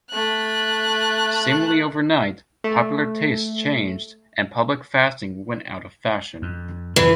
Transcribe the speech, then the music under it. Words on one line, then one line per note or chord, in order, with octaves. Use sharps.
Seemingly overnight, popular tastes changed and public fasting went out of fashion.
A3 F#6
A3
F2
F2 D#3 E3 G3